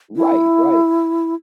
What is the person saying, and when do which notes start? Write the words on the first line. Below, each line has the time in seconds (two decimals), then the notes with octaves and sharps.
Right, right.
0.16 E4